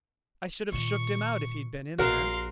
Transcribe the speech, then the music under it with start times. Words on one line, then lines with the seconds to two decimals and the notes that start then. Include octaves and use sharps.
"I should have shooked him out, if he'd been in there!"
0.72 A#2 D#3 C#6
1.98 A#1 F#4 A#4 F5 C6